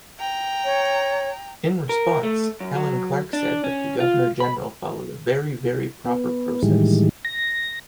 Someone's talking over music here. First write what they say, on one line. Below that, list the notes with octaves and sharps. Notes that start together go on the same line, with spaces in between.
In response, Helen Clark said that the Governor-General followed a "very, very proper process".
G5 A#5
C#5
A#4
A3
F#2
F#3
D4
C#4
F4
B5
B3
A2 D#3 E3 G3 G#3
A#6